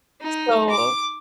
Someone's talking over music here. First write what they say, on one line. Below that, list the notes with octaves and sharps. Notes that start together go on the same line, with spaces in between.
S so
D#4
D6